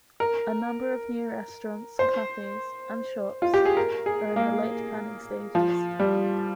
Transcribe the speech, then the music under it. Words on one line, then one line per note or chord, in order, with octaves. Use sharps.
A number of new restaurants, cafes, and shops are in the late planning stages.
A#4
C5
F4
G4
G#4
A#4
G#4
A#3
F3
G3